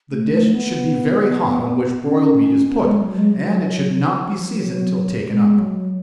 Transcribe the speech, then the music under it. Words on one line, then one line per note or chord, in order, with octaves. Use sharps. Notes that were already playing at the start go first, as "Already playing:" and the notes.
The dish should be very hot on which broiled meat is put, and it should not be seasoned till taken up.
A3
A3
B3
C#4
B3
G#3
F#3
G#3
F#3
F3
F3
F3
F#3
G#3
F#3